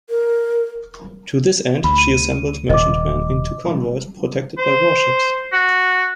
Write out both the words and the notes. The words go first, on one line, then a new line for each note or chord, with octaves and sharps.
To this end she assembled merchantmen into convoys protected by warships.
A#4
D2 B5
D#7
D#1 D#5 D6
C5
F#4